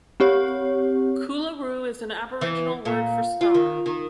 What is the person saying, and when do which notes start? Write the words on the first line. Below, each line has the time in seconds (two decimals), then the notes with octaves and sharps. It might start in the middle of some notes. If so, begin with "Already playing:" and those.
Coolaroo is an Aboriginal word for 'star'.
0.20 C4 G4 C#5
2.41 E3
2.85 A#2
3.41 F4
3.54 D#3
3.86 D#3